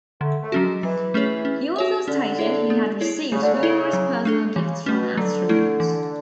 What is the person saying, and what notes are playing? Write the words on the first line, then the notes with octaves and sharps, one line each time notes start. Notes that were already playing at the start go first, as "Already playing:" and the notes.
He also stated he had received numerous personal gifts from astronauts.
D3 A3
A3
F#3 C#4 F#4
G#3
E3 F#3
A3 C#4 G#4 C#5
C#4
F#4 C#5 E5
D3 C#4
E4 G#4 C#5 E5
B3
E4 G#4 C#5
C#3 A3
D3
C#3
E4 A4
F#3
A3 D4 A4
C#3 E3
B2 A3 C#4
D3 F#3
A3 E4
E3